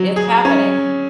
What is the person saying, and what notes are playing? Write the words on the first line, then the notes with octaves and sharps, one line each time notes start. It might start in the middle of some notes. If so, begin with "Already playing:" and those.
It's happening.
Already playing: F#3
G#4
C#4